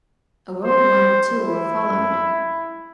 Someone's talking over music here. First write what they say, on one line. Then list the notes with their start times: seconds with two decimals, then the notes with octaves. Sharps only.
A worldwide tour followed.
0.65 C5
1.35 E4